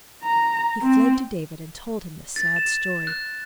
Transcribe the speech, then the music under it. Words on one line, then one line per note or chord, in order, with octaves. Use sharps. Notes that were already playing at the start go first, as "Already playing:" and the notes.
He fled to David and told him the sad story.
A#5
C4
A6
E7
F#6